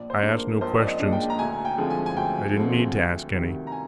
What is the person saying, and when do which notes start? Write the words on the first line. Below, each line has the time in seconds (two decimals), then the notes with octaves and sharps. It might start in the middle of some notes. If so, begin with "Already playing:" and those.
I asked no questions; I didn't need to ask any.
Already playing: A#1 D5
0.10 C5
0.22 A#2 G#3 D4
0.35 A#4
0.61 A#1 C5
0.82 D5
0.87 D#5
1.00 A#2 G#3 D4
1.13 G5
1.30 A#5
1.39 D2 G#5
1.65 G5
1.78 D3 F3 G#3 C4
1.90 G#5
2.06 G#5
2.16 D2 G5
2.56 D3 F3 G#3 C4
2.94 D2
3.33 C3 D#3 G3
3.67 A#5
3.72 G#5